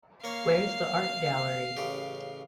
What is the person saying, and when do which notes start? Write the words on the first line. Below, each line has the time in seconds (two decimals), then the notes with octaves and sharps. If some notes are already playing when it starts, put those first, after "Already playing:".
Where's the art gallery?
0.24 A#3 C#5 F5 C7
1.77 A1 C#3 G4